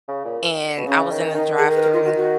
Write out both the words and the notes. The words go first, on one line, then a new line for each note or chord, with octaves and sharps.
and I was in the drive-through,
C#3
A#2
B2
C#3 C#4
D#3
D#3 D#4
G#4
A#4
B4
A#4
F4
F#4
F#4